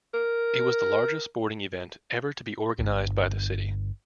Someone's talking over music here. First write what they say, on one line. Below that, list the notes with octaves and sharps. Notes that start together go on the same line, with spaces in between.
It was the largest sporting event ever to be organised by the city.
A#4
D1 G1